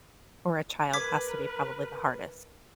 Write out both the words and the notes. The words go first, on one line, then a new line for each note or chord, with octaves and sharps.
or a child has to be probably the hardest.
A#4 B4 D6 G#6 B6